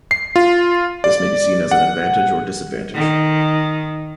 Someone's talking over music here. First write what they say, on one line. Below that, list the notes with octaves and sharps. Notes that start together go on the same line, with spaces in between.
This may be seen as an advantage or disadvantage.
C7
F4
D5
F#5
D#3